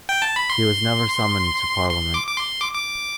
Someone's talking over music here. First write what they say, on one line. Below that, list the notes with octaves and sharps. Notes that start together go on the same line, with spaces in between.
He was never summoned to Parliament.
G5
A5
B5
C6
C6
D6
D6
C6
D6
D6